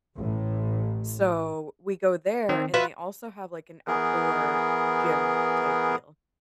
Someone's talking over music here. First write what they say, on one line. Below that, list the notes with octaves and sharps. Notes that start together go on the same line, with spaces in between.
So, we go there, and they also have, like, an outdoor gym-type deal.
A1 A2
D#3 C4
F4 F#4 B4 E5
E3 B3 G#4 A#4